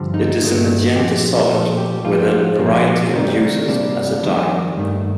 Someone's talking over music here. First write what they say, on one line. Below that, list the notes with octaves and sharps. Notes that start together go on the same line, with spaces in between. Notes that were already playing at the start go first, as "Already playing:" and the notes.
It is a magenta solid with a variety of uses as a dye.
Already playing: G2 D3 F3
D#4
G2 D#3 A3
A#2 F3 A3 G4
A#2 F3 A3 A4
G4
A2 F3 A#3 F4
A#2 F3 A#3
C3 D#3 G3
C3 G3 A#3 D4
F2 D#3 G3 A#3
G2 D#3 A3